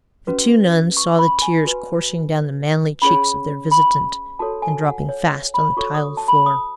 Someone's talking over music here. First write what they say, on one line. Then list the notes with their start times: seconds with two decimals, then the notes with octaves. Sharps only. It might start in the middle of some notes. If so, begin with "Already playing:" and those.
The two nuns saw the tears coursing down the manly cheeks of their visitant, and dropping fast on the tiled floor.
0.27 C#4 F#4 B4
0.97 C#6
1.19 B5
1.42 G#5
1.65 F#4 B4
3.02 C#4 G#4 C#5 B5
3.71 B5
4.39 F#4 A4 C#5 A5
4.62 G#5
4.85 F#5
5.09 C#5
5.54 B5
5.77 F#4 A4 C#5 C#6
5.94 D#6
6.17 A5
6.28 B5
6.46 D#6